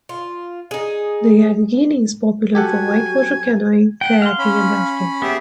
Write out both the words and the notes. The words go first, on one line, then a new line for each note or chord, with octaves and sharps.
The Youghiogheny is popular for whitewater canoeing, kayaking and rafting.
F4
D#4 G#4
F#3 G4 A4 F#5 G#5
F#5 G5
F5 C6
C#4 B5
B3 G4 G#4 E5